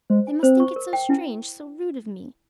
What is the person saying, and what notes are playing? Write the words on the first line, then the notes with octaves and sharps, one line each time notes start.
They must think it so strange, so rude of me!
G#3 C5
G#5
C4 C5
C#6
A#4
G5
C#4 E4